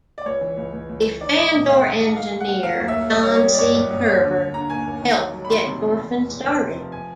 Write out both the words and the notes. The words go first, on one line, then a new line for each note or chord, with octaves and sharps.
A Fandor engineer, John C. Koerber, helped to get Dorfan started.
D5
C#2 C#5
E3
C#2
C#2
C#2
E3
D#3 D5
G#2 D#5
A#1 D#5
G#2 F5
G#2
G#2
A3 F5
A3
F#5
A3
F#3 F5
D#2
E5
D#2
G3 D#5
C#5
G3
C#5
G3
D5
G1 C#5
F#2
F#2
D#2 C#5
D3
D3
D3 A#5
D#2 G#5
D#2
D#3
F#3
F#3
B5
D#3 C6
C3
E2
E2
F1
E2
F1
C3
F3
G#5